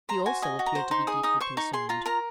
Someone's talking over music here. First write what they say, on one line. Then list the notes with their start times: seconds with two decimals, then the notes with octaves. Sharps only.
He, also, appeared to be deeply concerned.
0.09 C5 A#5
0.26 F#4 G#5
0.42 D#5 G#5
0.59 F#4
0.66 A#5
0.75 C5
0.91 D#4 C6
1.07 G#4 D#6
1.23 D#4 D#6
1.40 C5 C#6
1.57 D#4 C#6
1.73 G#4 C6
1.89 F4 A#5
2.06 A#4 A#5